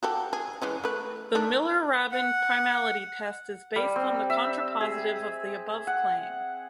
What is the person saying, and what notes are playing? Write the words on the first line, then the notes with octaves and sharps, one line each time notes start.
The Miller-Rabin primality test is based on the contrapositive of the above claim.
F#4 G4 A4
G#4
E3 G#3 C#4
A3 B4
D#3 D4
F#5
G3
C4
E5
G#4
F#5